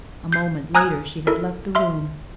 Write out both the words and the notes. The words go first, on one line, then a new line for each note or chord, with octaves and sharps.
A moment later she had left the room.
G6 C7
G#5 A#5 D#6 F6 F#6 G#6
E4 A4 A#4
E5 C6 F6